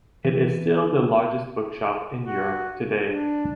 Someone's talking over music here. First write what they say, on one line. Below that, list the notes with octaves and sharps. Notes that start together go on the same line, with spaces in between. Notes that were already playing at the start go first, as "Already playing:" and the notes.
It is still the largest bookshop in Europe today.
E3 B4 E5
F#4
D4